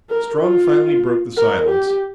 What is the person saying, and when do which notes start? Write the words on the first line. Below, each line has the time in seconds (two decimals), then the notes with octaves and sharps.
Strong finally broke the silence.
0.10 A#4
0.42 F4
1.37 A#4
1.70 G4